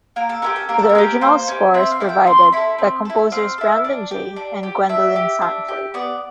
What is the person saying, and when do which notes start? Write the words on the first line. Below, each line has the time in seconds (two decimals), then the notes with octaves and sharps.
The original score is provided by composers Brandon Jay and Gwendolyn Sanford.
0.16 A#3 A#4
0.29 A4
0.42 C#4 E4 G4 A#4
0.56 A4
0.69 A#3 A#4
0.79 A4
0.89 A#4
0.95 C#4 E4 G4
1.21 A#3 C5
1.48 C#4 E4 G4
1.74 C4 E5
1.91 F5
2.00 E4 A4
2.09 G5
2.26 C4 C6
2.52 E4 A4 B5
2.79 C4
3.05 E4 A4
3.32 C4 F5
3.58 E4 A4
3.84 D4
4.11 G4
4.36 D4
4.63 G4
4.89 D4 E5
5.16 G4
5.41 D4
5.68 G4
5.94 B3 D5